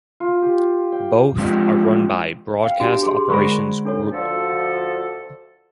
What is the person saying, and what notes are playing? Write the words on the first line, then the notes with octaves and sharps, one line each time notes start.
Both are run by Broadcast Operations Group.
F4
G4
G5
F3 G#3 C4 D4 F4 G4
F5 G5
D4 F#4 G4
G#4 C6
D3 G#3 A#4 C5 B5 C#6
D4 A4 C#5
D2 F3 A4